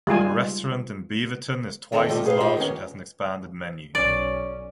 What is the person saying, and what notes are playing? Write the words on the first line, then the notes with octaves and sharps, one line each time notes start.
The restaurant in Beaverton is twice as large and has an expanded menu.
G3 G#3 F4 G#5
E2 D#3 C4 A4 D#5
C3 F3 G3 A3
G#4 B4 C5 D5 F5
D#4 F4 G4 D#5 F5
D#3 B3 C#4
B1 C#4 D5